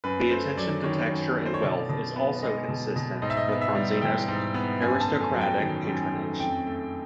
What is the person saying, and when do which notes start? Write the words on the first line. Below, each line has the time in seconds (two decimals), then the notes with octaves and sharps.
The attention to texture and wealth is also consistent with Bronzino's aristocratic patronage.
0.04 F#2 B4
0.31 A3 C5
0.57 F#3 D5
0.84 D#3 C#5
1.10 F#2
1.37 A3
1.46 C5
1.54 C#5
1.62 B2 D5
1.89 B2
2.16 B3
2.43 G#3 D#5
2.69 B2
2.96 B2
3.22 G#2 D#5
3.30 E5
3.37 D#5
3.48 B3
3.61 E5
3.75 G3
4.02 E3 G5
4.28 G#2
4.54 B3
4.81 F#2 G#5
5.00 A5
5.08 A3
5.21 G#5
5.34 F#3
5.41 G5
5.60 D#3
5.87 F#2
6.14 A3
6.40 F2 G5
6.67 A3